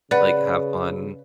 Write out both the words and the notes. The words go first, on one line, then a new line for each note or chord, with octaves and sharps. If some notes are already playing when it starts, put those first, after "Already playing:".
Like, have fun,
C#3 B4 D5 F#5